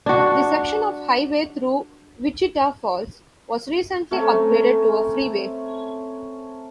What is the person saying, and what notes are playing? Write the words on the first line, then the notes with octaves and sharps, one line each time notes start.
The section of highway through Wichita Falls was recently upgraded to a freeway.
D4 F#4
A3 C4 C#4 A#4